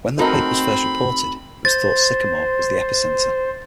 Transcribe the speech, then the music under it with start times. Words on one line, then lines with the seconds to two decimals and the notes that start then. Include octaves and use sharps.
When the quake was first reported, it was thought Sycamore was the epicenter.
0.19 A3 C4 D#4 F#4 A4 A#4 D#5 B5
1.65 C5 A6